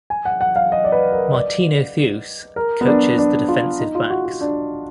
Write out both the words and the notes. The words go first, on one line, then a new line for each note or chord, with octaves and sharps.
Martino Theus coaches the Defensive Backs.
G#5
F#5
F#5
F5
D#5
D5
B4
A#4
D#5
D5
A#4
B3
D4
D4
F4
D#4
F4
F#4
F#4
D4